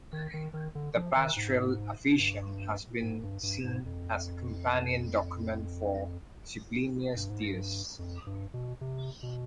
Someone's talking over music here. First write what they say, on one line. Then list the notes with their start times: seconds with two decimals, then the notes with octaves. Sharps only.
The "Pastorale Officium" has been seen as a companion document for "Sublimis Deus".
0.13 D#3
0.34 D#3
0.54 D#3
0.75 D3
0.95 F3
1.16 D#3
1.36 G#2
2.19 G2
3.02 G#2
3.23 G2
3.43 G2
3.64 G#2
3.86 F2
7.16 G2
7.30 G#2
7.43 G2
7.99 F2
8.27 G2
8.54 B2
8.81 C3
9.23 B2